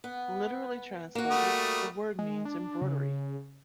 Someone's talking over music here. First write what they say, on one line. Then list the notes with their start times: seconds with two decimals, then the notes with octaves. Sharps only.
Literally translated, the word means embroidery.
0.04 B3
1.15 A#3 F#4
1.30 G3 A3 D#6
2.19 G#3
2.45 D4
2.81 C#3